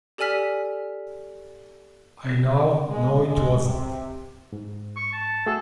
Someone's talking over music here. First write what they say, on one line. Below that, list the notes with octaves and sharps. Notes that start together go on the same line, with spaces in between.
I now know it wasn't.
G4 A4 D5 G#5 F6 B6
G#3
G#3
C3
G#2
C#6
A5
A3 F#4 G#4 A4